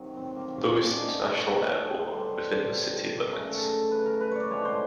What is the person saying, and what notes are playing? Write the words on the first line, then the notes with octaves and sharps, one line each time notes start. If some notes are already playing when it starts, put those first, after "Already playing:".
Louis International Airport are within the city limits.
Already playing: C3 D#3 F#3
C4
A#3
C#4
D4
B2 F#3 A3 D#4
F4
F#4
A4
G#4
A4
C5
B2 G3 C5
C#3 F#3 A3 A#4
A4
B4
A#4
B4
C#5 D5
A2 F3 G#3 C#5
C5